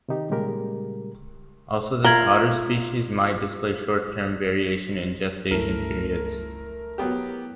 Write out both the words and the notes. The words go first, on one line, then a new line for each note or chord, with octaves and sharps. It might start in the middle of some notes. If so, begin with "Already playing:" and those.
Also, this otter species might display short-term variation in gestation periods.
C3 D#3 D#4 G4
A#2 C#3 G3 G#3 G4 A#4
F4 A#4 E5 F5 G#6 F#7 G7
C#2 G2 F3 A3 E4 A#4
F#3 B3 G4